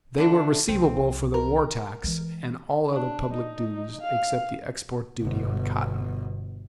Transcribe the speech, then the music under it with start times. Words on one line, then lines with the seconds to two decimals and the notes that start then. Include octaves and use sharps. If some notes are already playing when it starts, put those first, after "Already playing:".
They were receivable for the war-tax and all other public dues except the export duty on cotton.
0.18 D3 A3 D4
0.69 C2 F3 C4
1.34 A#4
2.04 E3 G#3
2.92 D4
3.33 D#4
4.01 F5
5.22 G1 B2